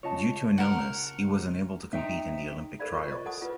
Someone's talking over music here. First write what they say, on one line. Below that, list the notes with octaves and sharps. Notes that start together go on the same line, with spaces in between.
Due to an illness, he was unable to compete in the Olympic trials.
C#3 F4 C#5 D#5 A5
A#4 F#5
D#4 E5 G5 A#5
A4 A#4 C5 D5 F5 B5
F4 A#4 C#6
C5 D#5
A4 F#5 A5 D#6
F4 B4 D6